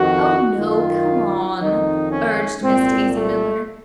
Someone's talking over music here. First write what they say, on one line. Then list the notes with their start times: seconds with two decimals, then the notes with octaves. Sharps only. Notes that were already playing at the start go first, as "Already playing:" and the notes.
"Oh, no; come on!" urged Miss Daisy Miller.
Already playing: F2 D#3 F#4
0.58 F#2 D#3 F4
1.60 F2 D#3 D#4
2.11 C#4
2.63 C2 A#2 C4
3.14 A3